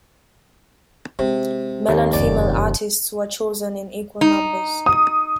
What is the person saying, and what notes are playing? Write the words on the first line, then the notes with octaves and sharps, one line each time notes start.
Male and female artists were chosen in equal numbers.
C3 G#3
D#2
F1 F#2 D5
D#4
D#6